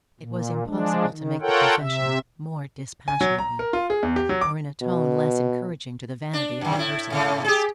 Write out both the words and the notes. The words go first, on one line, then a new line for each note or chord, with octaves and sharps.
It was impossible to make the confession more dispassionately, or in a tone less encouraging to the vanity of the person addressed.
A#2
F3 G#3 D4
D#3
F4 A4 A#4 C#5 F#5 G5
C3 E5
G#5
F#3
A#5
A#4
F4
G#4
E2
G4
F#3
D6
B2
D4
F#2 D#3
A2 E4
G#2 C#3 A3
G4 G#4